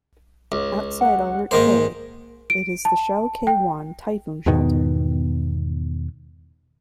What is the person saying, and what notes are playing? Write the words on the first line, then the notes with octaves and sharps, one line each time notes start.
Outside Aldrich Bay, it is the Shau Kei Wan Typhoon Shelter.
C#2
F#5
G#2 D#3 A#3 C5
D7
A5
G5
E2 G#2 B2 D#3